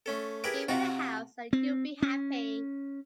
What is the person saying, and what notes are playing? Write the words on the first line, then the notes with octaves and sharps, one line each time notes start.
Give it a house and you’ll be happy.
A3 C#4 A4
E4 G4 G#4 A#4 B4
C3 C4 F4 F#4 A#5
C4
C#4